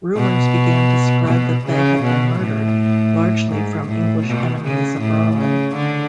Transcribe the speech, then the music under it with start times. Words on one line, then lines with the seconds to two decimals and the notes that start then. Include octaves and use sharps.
Rumours began to spread that they had been murdered, largely from English enemies abroad.
0.16 B2
1.28 B2
1.66 C#3
2.03 B2
2.40 A2
3.51 G#2
3.88 A2
4.26 B2
4.63 C#3
5.01 A2
5.37 C#3
5.75 D3